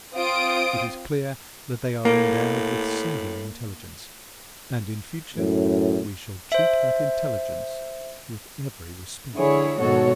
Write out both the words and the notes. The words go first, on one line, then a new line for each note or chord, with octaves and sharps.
It is clear that they are endowed with singular intelligence, and in future we shall treat that intelligence with every respect.
C4 F4 D#6 D7
A2 A#3
F#2 A2
C5 E5
D3 E4 G#4 C#5
G#2 B2 D#3 F#4 A4 C#5